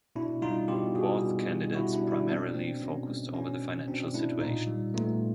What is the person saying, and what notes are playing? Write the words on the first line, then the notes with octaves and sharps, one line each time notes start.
Both candidates primarily focused over the financial situation.
B2 D4 E4
G3 D#4 F4
B2 F4 G4
G3 F#4 G#4
B2
G3
B2 E4 F#4
D4 E4
G3
D4 E4
B2 C4 D4
G#3 A#3 C4
B2 B3 C#4
G#3
B2 B3 C#4
G#3
B2 C4 D4
G#3 D4 E4
A#2 D#4 F4
G3
A#2 A3 B3